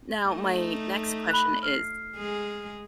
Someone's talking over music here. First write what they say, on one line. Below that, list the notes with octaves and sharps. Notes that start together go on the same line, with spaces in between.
Now my next question is
A3 D#4
B5 F#6
F6 C7
G#3 G#4